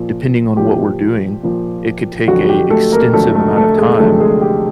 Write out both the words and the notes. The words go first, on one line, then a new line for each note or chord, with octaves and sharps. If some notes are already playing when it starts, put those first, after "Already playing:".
depending on what we're doing, it could take a extensive amount of time
Already playing: A#2 F3
A#2 F3 G4
A#2 F3
F2 D3 F#3 F#4
G4
A3 A4
A#3 A#4
F2 D3 F#3 A3 A4
A3 A4
A3 A4
G#3 G#4
F2 D3 F#3 A3 A4
G#3 G#4
G4